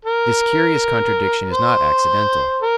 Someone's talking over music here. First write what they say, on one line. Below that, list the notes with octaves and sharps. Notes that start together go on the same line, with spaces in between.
This curious contradiction is not accidental.
A#4
C5
A#4